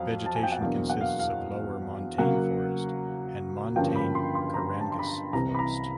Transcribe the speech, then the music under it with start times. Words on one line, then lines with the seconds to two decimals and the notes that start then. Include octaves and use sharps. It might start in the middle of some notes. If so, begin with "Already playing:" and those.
Vegetation consists of lower montane forest and montane kerangas forest.
Already playing: F2 F#3 F5
0.26 A5
0.35 G#5
0.43 G5
0.52 F#5
0.61 E2 B2 F#3 A#3 D4 F5
0.90 F#5
1.01 F5
1.19 F5
2.18 C#3 F#3 A#3 F#5
3.76 G2 D3 F3 A#3 C#4 G5
3.96 B5
4.15 C6
4.35 C6
4.54 A#5
4.81 A5
4.92 C6
4.99 B5
5.07 A#5
5.33 C2 C3 E3 A#5
5.55 B5
5.59 A#5